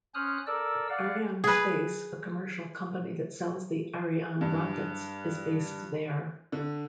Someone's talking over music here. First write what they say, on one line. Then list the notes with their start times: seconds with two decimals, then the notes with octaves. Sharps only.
Arianespace, a commercial company that sells the Ariane rockets, is based there.
0.14 C#4 C5 D#6 F6 F#6
0.47 A4 A#4 D5 E6
0.90 D5 F5 F#5
1.44 G#4 B4
4.41 G2
6.52 D3